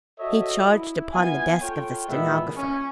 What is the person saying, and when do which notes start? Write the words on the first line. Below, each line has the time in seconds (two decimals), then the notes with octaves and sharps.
He charged upon the desk of the stenographer.
0.19 F#4 A4 C#5 D#5 E5
0.70 E4
1.13 B3 E4 F4 G#5
1.61 F4 A4 C#5 G5
2.09 A#2 E3 G#3 B3 B4 E5
2.56 C#4